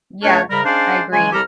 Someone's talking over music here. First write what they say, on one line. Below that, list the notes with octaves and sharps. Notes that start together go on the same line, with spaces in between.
Yeah, I agree.
C#2 A3 D4 C#5
G#2 C#3 G3 A#4 A#5 B5
G#3 C#4 D4 C5 D5 F5
C#3 F#3 G#3 G#5
C2 G3 G4 A4 A#5 F6